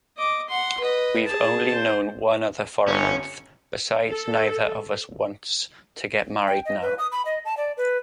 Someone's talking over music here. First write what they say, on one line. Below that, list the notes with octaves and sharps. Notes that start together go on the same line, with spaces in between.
We’ve only known one another for a month. Besides, neither of us wants to get married now.
D#5 D6
F#5 C6
B4 D#5
G#4 A5
C5
G1 C#4
A4
G5
D#5
B4
D#6
B5
D#5
A5
D5
B4